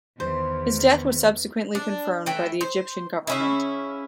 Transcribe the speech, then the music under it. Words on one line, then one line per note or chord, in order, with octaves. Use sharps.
His death was subsequently confirmed by the Egyptian government.
E2 D#3 C5
D4
E3 A3 G5
C5
C#3 C#4 E4